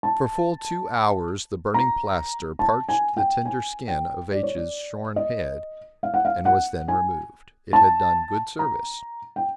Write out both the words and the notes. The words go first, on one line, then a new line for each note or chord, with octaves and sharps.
For full two hours the burning plaster parched the tender skin of H--'s shorn head, and was then removed; it had done good service.
A5
A#5
A5
G#5
G5
G#5
G5
D5
C#5
D5
D#5
F5
F#5
F5
F#5
G#5
A5
A#5
G5